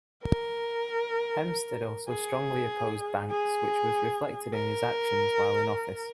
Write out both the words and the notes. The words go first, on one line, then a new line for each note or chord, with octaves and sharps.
Hempstead also strongly opposed banks, which was reflected in his actions while in office.
A#4
G#4
G#4
A#4